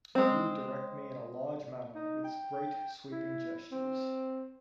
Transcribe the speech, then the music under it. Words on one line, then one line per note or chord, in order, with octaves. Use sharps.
He would direct me in a large manner with great sweeping gestures.
G#3 C4
D#4
G5
E4
C4